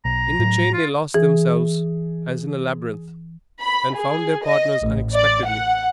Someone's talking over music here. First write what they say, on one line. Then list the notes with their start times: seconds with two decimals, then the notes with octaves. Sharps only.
In the chain they lost themselves as in a labyrinth and found their partners unexpectedly.
0.05 B1 A#5
0.39 A2 F#3
0.73 F4
1.14 E3 G#4
3.62 B5
3.96 G#4
4.45 D#5
4.82 A1
5.14 D5
5.46 F#5